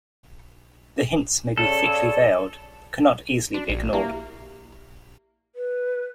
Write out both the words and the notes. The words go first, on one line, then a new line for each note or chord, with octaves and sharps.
The hints may be thickly veiled, but can not easily be ignored.
C#3 A4 C#5 D5
D4 F#4
A#1 D5
A#3 E4 G4 E5
B4